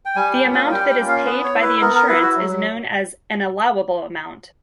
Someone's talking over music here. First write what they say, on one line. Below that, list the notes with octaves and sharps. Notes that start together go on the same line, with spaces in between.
The amount that is paid by the insurance is known as an allowable amount.
G5
G3 G#5
G5
A#3 C#4 F4
G#5
G3 G5
G5
A#3 C#4 F4
F5
B3 B4
C#5
E4
B4
B3 A#4
A#4
E4 B4
F#4
F#3